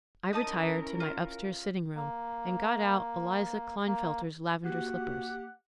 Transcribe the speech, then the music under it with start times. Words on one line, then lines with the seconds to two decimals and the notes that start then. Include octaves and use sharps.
I retired to my upstairs sitting-room and got out Eliza Klinefelter's lavender slippers.
0.33 C#4 D#4 E4 A#4 A5 D#6
1.00 F4
1.96 A#3
3.87 A#3
4.66 A#3 F#4 G4 F#5